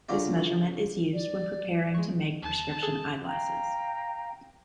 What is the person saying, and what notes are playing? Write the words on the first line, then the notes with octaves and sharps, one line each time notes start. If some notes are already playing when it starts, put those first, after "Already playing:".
This measurement is used when preparing to make prescription eyeglasses.
C#2 D3 F#3 C#4 F4 D5
D5
G#3 C#6
D#2 A5
G#4 A4 F#6
F5 G5 A#5